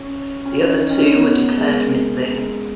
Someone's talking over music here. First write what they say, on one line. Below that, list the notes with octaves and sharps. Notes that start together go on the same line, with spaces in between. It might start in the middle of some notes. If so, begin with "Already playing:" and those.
The other two were declared missing.
Already playing: C#4
C#4
D#4
C#4
B3
B3
A#3
G#3
A#3
G#3
A#3